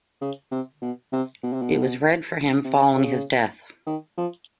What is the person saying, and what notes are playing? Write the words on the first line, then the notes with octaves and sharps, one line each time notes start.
It was read for him following his death.
C#3
C3
B2
C3
B2
C3
B2
C3
C#3
D#3
F3